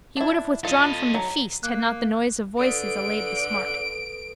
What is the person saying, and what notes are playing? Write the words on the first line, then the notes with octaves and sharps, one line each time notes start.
He would have withdrawn from the feast had not the noise of voices allayed the smart.
D4 E4
F4 A4 D#5
F#3
A#3 F#6
D3 A4 B4 D#6 D7